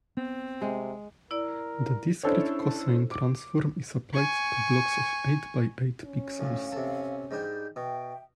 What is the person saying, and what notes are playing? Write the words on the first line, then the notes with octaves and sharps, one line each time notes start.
The discrete cosine transform is applied to blocks of eight by eight pixels.
B3 C4
C3 G#3
E4 A#4 D5
C#4 D4 E4 A4 C5 C#5
D6
G#5 C#6
C#4
D2 A2 F5
C3 A4
G#2 G3 D4 G6
B2 E5 G5